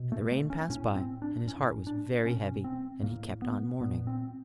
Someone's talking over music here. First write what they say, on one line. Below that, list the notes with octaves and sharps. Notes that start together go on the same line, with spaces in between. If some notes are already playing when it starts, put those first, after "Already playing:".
And the rain passed by, and his heart was very heavy, and he kept on mourning.
Already playing: B2
A3
A3
C#4
A2 C#4
C4
D4
A2 C#4
D4
B2 C#4
C4
A2 A#3
B3
A#2 B3
C4